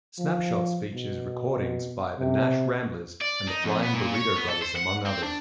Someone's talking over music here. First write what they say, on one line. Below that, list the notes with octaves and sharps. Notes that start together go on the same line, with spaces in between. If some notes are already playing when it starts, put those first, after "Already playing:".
"Snapshots" features recordings by the Nash Ramblers and the Flying Burrito Brothers among others.
F3
B2
C3
D5
D#4
F2
B3
A#2
C#5
B3
A4
C5
F#5
C4
D4